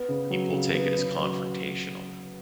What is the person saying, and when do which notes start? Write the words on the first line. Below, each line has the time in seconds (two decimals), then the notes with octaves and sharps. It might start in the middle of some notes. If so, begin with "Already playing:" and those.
people take it as confrontational,
Already playing: B3
0.09 C#3
0.30 F#3
0.53 C#3
0.75 B3
0.98 C#3
1.20 F#3